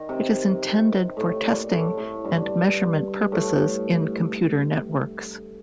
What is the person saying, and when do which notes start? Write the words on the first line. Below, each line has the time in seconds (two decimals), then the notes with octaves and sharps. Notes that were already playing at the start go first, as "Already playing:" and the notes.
It is intended for testing and measurement purposes in computer networks.
Already playing: D#3
0.09 C3
1.17 A2
1.44 A#2
1.71 A2
1.98 A2
2.24 G2
3.32 A2